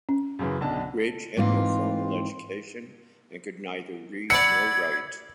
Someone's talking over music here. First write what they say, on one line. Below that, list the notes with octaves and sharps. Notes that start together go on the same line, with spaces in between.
Ridge had no formal education and could neither read nor write.
C#4
F#2 C#3 E3
B1 D3 A5
G#2 E3 A#3 C4 F4
D5 F#5 B5 E6 G#6 C#7